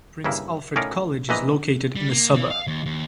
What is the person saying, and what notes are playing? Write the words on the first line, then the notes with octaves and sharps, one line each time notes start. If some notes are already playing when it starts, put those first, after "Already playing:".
Prince Alfred College is located in the suburb.
G2 C#3 A#3 E4
A2 C#4 D#4 A#4 D5 F5
A#1 A#2 E3 B4 D#5 A#5
G3
A#3
E3
F5
D#2
D#2